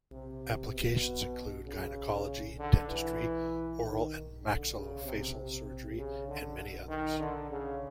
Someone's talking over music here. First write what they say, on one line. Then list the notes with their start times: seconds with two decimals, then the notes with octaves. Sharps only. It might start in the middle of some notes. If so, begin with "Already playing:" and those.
Applications include gynecology, dentistry, oral and maxillofacial surgery, and many others.
0.11 C3
0.72 B2
1.65 C#3
2.57 D3
2.88 E3
3.81 D#3
4.42 D3
4.74 C#3
5.03 C3
5.35 C3
5.96 C#3
6.28 D3
6.88 D#3
7.20 D3
7.51 C#3